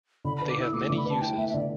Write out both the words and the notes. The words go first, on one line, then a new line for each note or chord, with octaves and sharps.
They have many uses.
D3 B5
B5
B4
D6
E4 E6
A3 D6
D6
D3
B5
B4 A5
E4 G5
A3 E5
E5
D3 D5